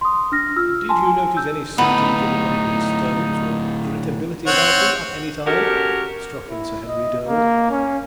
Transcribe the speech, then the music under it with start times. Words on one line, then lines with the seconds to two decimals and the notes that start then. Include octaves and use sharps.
"Did you notice any symptoms of mental disturbance or irritability about him at any time?" struck in Sir Henry Durwood.
0.01 C6 D#6
0.32 D4 F6 A#6
0.56 F4 E6 F6
0.89 G#5 A5 C6
1.07 G#5
1.37 E6 G6
1.78 D2 A2 B3 D#4
4.46 C4 C#5 F#5
5.46 C#4 F#4 G4 A4 A#4
6.49 E4
6.88 D#5
7.27 A#3
7.70 C#4